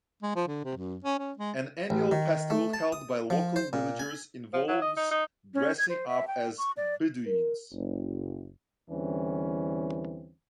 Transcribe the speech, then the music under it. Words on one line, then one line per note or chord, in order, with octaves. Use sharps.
An annual festival held by local villagers involves dressing up as bedouins.
G#3
F3
D3
C3
F#2
C#4
C#4
G#3
A1
D#3
A3
A5
D#6
F3
C5
A#2
G#5
F3
F#3
D#5
D#4
D#4
C#4
G#6
C5
E5
G5
C#6
D5
A#4
F#1
E2 D3 E3 G3 C4 C#4